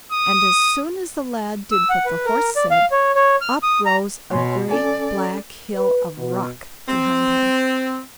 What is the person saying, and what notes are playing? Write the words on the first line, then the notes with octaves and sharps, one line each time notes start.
And as soon as the lad did what the Horse said, up rose a great black hill of rock behind him.
D#6
E6
F#5
B4
A#4
D5
F5
C#5
C#5
F6
D#6
A#5
B2 C#5 G#5 C6
C#4 A4 D5 G#5
B4
B2
C4